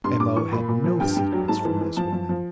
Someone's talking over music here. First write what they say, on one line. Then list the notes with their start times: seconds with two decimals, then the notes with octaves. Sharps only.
M.O. had no secrets from this woman.
0.04 G2 C6
0.20 G2 D6
0.36 E3 C#6
0.52 A#2 B5
0.68 A#2
0.84 F3
1.00 G2 G5
1.16 G2
1.32 F#3
1.48 G#2 A5
1.65 E3
1.81 E3
1.97 F3 A5
2.13 F3
2.29 F3